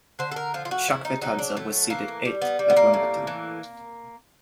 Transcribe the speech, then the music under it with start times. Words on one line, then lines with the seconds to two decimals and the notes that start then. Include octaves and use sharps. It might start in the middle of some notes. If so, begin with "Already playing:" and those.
Chakvetadze was seeded eighth at Wimbledon.
0.19 D3 C5
0.32 A4
0.36 A#4
0.54 F3 F4
0.65 F4
0.71 F#4
0.88 C#3 E4
1.05 D#4
1.22 F#3 D#4
1.39 D4
1.57 A2 A3
1.90 E3 A#3
2.25 G3
2.42 B3
2.59 G3
2.70 B3
2.77 A#3
2.94 A2
3.27 E3